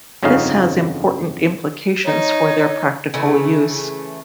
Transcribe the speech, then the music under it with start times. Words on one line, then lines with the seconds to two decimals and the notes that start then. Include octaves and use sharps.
This has important implications for their practical use.
0.23 G1 F2 C#3 C#4 D#4 F5
2.05 D#4 C#5
3.14 C#3 E3 A3